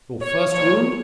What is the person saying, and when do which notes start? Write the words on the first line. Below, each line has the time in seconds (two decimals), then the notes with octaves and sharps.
"Your first wound?"
0.21 C#5
0.52 A#2 F3 C#5